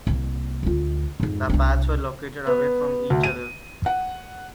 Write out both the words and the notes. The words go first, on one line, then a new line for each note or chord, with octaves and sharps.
The pads were located away from each other.
C2 A#3
D2 F4
F2 G#2
C2 D4
B3
D2
D#7
F#5